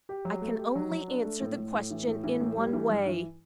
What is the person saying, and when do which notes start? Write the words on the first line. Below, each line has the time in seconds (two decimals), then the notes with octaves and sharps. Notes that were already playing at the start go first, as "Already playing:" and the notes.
I can only answer the question in one way.
0.09 G4
0.25 F#3
0.42 A3
0.59 G4
0.75 F#3
0.91 F#3
1.08 D4
1.25 A3
1.41 A2
1.58 A2
1.74 A2
1.91 E3
2.08 A2
2.24 E3
2.40 A2
2.57 G3
2.73 E3
2.90 G2
3.06 E3